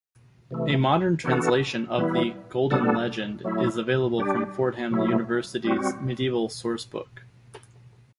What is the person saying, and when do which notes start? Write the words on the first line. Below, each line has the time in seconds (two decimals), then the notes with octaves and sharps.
A modern translation of the "Golden Legend" is available from Fordham University's Medieval Sourcebook.
0.51 C3 E3 A3
1.24 E3 B3 D4 F#4 A4
1.97 E3 G3 B3 E4
2.71 B2 G3 B3 D4 A4
3.44 F#3 A3 E4
4.18 G3 D4 G4
4.91 B2 F#3 A3 E4
5.64 G3 C4 F#4